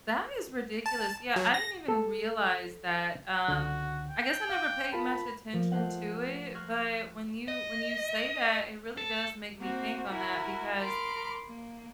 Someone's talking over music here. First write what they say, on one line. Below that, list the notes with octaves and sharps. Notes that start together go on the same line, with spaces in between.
That is ridiculous. Yeah, I didn't even realize that. Um, I guess I never paid much attention to it, but when you when you say that, it really does make me think on that because
A5
F#3
A#6
A4
C#2 D3 F#4
G5
F5 D6
F4 A#4 A5 B5
F3 A#3
A3 C5 F#5
C6 C#6 F6 F#6 G#6 A#6
D#5
A4
A#3 C4 F#4 C5
E4 F#4 A#4 G#5
A#4 B5 C6 D6 F6
A#3